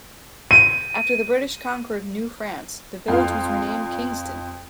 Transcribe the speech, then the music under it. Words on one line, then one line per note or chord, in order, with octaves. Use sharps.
After the British conquered New France, the village was renamed Kingston.
D#7
F2 F4